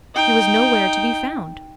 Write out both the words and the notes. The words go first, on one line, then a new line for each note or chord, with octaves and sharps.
She was nowhere to be found.
D#4 G5